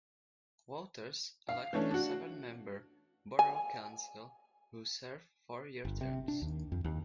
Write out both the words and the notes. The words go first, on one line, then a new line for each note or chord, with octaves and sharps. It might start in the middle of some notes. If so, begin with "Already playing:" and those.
Voters elect a seven-member Borough Council who serve four-year terms.
F5
E3 A3 C#4 D4
D4 F#4
G#5
G1
C3
D4
D#2
F2
D#2